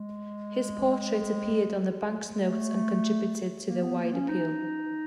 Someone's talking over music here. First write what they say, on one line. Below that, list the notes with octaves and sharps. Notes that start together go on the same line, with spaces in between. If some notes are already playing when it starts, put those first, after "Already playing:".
His portrait appeared on the bank's notes and contributed to their wide appeal.
Already playing: G#3
A3
A#3
B3
A#3
C#4
D#4